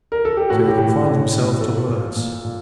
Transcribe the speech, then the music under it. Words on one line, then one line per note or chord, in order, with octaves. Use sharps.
So he confined himself to words.
A#4
A4
G4
A2 F#4
A4
G4
A2
A2
A2
A#2 A4
A#2
A#2
A#2